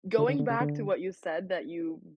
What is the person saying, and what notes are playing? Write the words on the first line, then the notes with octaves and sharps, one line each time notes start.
going back to what you said that you,
D3
D3
D3
C#3
D3